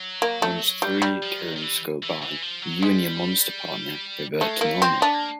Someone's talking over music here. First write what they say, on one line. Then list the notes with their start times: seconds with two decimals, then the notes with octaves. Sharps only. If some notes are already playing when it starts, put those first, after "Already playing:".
Once three turns go by, you and your monster partner revert to normal.
Already playing: F#3
0.22 A#3
0.42 A3
0.82 G3
1.02 G3
1.22 F3
1.42 D#3
1.56 D#3
1.62 E3
2.03 E3
2.22 E3
2.42 F3
2.62 F#3
2.81 G3 G#3
4.41 G#3 A3
4.61 A3 A#3
4.82 A#3 C4
5.01 B3 D4
5.14 A#3